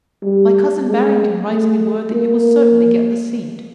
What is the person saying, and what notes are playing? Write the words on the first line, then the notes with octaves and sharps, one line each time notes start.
My cousin Barrington writes me word that you will certainly get the seat.
G3
G#3
A3
A#3